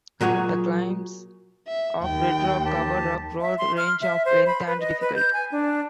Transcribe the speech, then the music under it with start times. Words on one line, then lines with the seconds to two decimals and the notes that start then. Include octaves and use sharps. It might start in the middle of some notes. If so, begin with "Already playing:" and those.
The climbs of Red Rock cover a broad range of length and difficulty.
0.21 A#2 F#3 G#4 C#5
1.68 E5
2.03 D#2 G5
2.65 G4 A5
3.41 E5
3.58 C6
3.77 F6
4.02 E5
4.25 C5
4.47 B5
4.67 B4
4.80 D#5
5.01 B4
5.16 G6
5.33 G#5
5.52 D4